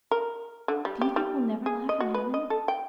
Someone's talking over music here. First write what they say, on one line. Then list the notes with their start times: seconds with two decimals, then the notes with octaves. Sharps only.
"Do you think we'll never laugh in heaven?"
0.11 A#4
0.68 D3
0.85 G3
1.01 G4
1.16 G3
1.66 G#4
1.89 D#5
2.00 F#4
2.14 B4
2.34 D#5
2.50 A4
2.68 G5